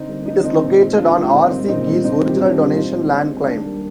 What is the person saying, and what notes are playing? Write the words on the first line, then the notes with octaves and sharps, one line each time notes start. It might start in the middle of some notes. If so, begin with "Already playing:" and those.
It is located on R. C. Geer's original Donation Land Claim.
Already playing: D3 C4 D#4
G3 A#3
D3 D#4
D4
G3 A#3 C4 D#4
A#2
G#3
A#2 D4 F4
G#3
A#2 C4 D#4
G3 A#3
A#2 C4 D#4
G3 A#3
C3 C4 D#4
G3 A#3
G4
C3 D4 F4
G3 A#3
A#2 C4 D#4
G#3
A#2
G#3
D#3 D4
G3 A#3